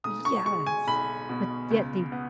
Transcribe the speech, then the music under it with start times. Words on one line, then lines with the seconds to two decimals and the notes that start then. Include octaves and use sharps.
Yes, but yet they
0.04 B1 D#6
0.25 C#6
0.46 G#3 C#6
0.66 G#5
0.87 B1 B5
1.29 B2
1.71 C#2
2.12 B3